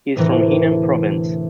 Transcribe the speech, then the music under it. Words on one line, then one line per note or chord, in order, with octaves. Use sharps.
He is from Henan province.
D2 A2 C3 E3 A#4